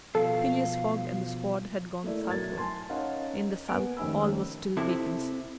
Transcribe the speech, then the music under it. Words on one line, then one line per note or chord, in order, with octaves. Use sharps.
Phileas Fogg and the squad had gone southward; in the south all was still vacancy.
B2 F3 A4 F5
A3 A#3 E4 D5
B1 A#4 G#6 A6
G#5 A5 C6 A6
C#4 D#4 A#4 C#5 F5 F#5
A#3 B3 G#5 D7
F1 D#3 C#4 G#5 B5 E6
C3 E4 A4